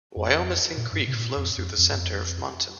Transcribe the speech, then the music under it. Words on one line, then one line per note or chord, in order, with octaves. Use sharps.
Wyomissing Creek flows through the center of Mohnton.
F2
A#2
G2
C3
A2
A#2
F2
F2
F2
G2
F2